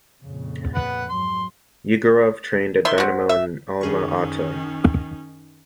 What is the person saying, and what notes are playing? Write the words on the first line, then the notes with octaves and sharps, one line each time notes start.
Yegorov trained at Dynamo in Alma-Ata.
F2 A#2 C#3
B4 F#5
G#2 F#3 C6
D#3 E5 C6
C4 F#4
E5
F#2 D#3 C#4 D#4 G#4 C#6